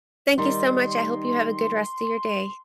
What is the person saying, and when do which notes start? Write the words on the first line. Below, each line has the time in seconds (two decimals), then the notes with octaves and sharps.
thank you so much, I hope you have a good rest of your day.
0.38 D#3 G3 D#4 C6